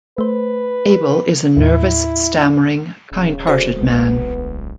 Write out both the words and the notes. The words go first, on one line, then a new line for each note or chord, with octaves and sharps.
Abel is a nervous, stammering, kind-hearted man.
A3 B4 C5
D#2 A2 E4
D1 C#3
F#4 G#4 A4 C5 D5
B1 G#3 B3